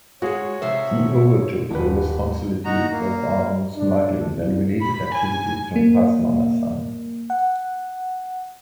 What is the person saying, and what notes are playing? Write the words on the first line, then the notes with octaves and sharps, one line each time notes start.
He overtook the responsibilities of arms smuggling and related activities from Pathmanathan.
G#3 F#4 G#4 C#5
C3 F3 C5 E5
D#1 B4
D#4 F#4 A#5
A#3
D4
C2
B5
G#5
A#3
F#5